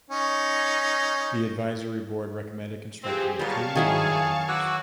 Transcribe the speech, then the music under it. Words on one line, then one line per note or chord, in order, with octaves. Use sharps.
The Advisory Board recommended construction of two "Main Avenues".
C#4 D#4
E3 F3 C4 G4 G#4
A#2 F#3 G3 A#3 B3 F5 A5 C#6
D#3 F#3 E4 G#4 G#5
E3 F#3 F#4 F#5 D6 E6